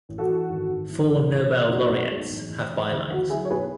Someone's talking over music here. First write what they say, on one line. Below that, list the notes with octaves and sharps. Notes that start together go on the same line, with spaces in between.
Four Nobel Laureates have bylines.
A1
F#4 A4
E3
G#1
G#1
E3
A1
A1
E3
B1 F#4
B1
G#3
A1
A1
E3
D2 E4
D2 F#4
F#3 E4 G#4
C#5
B1 G#4 B4